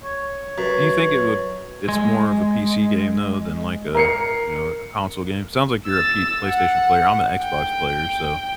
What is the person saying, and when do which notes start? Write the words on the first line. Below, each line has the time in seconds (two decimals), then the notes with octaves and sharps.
Do you think it would it's more of a PC game, though, than, like, a, you know, a console game? Sounds like you're a P PlayStation player. I'm an Xbox player, so
0.04 C#5
0.58 F#2 B4
1.89 G#3
3.95 A#4 C7 C#7
5.87 E6 A6
6.45 F#5
7.43 G5